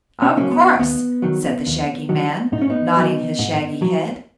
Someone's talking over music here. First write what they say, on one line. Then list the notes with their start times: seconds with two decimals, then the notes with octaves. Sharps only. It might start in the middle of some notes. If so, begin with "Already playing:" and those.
"Of course," said the Shaggy Man, nodding his shaggy head.
0.22 C#4
0.30 D#4
0.37 C#3 F#3 A#3 C#4
0.51 B3
0.79 D#2 B3
1.22 D#3 F#3
1.66 D#2
2.09 D#3 F#3
2.52 G#2 D#4
2.62 C#4
2.70 B3 D#4
2.96 F#3
3.39 G#2
3.82 F#3